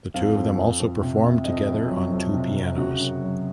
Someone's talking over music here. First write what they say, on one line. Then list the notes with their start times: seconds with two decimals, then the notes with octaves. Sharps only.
The two of them also performed together on two pianos.
0.14 F2 F5
0.36 F2
0.57 F2
0.80 F2
1.02 C3
1.24 C3
1.45 F2 D#5
1.68 F2
1.89 F#3
2.10 F2
2.33 C3
2.55 C3
2.76 C#3 F#4
2.99 F#2
3.21 F#3